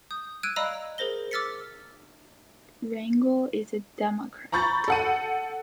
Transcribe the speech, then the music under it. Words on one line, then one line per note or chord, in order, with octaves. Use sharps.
Rangel is a Democrat.
D#6 G6
E6 F#6 G#6 D7 D#7
D5 D#5 F5 A#5 B5 E6
G#4 A#4 C5 A#6 G7
D6 E6 F6 A6 B6 C#7
A#5 B5 C#6 G6 A6
A4 F#5 D#7